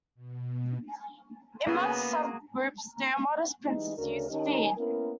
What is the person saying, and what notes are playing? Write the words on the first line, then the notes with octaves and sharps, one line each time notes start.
In most sub-groups, they are modest pincers used to feed.
B2
C#3 A#3 B3 F#4 G#4
E3 G3 G#3 D#4
D2 C#3 D4 F#4 A#4 C#5
D#3 C#4 D#4 G4 D#5
A#3 B3 C#4 E4 A#4